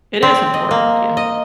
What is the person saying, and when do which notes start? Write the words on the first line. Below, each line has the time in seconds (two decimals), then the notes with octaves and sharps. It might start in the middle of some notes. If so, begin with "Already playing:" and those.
It is important. Yeah.
0.23 C4
0.54 D#5
0.71 A#3
1.17 D#5